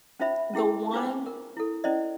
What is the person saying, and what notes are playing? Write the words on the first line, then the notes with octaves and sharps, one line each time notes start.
the one
C#4 D#4 F4 C5 E5 B5
C#4 E4 G#4 G5
D4 F4 B4 C5 G5 D6
A#4
E4 A4
C#4 E4 C5 D5 D#5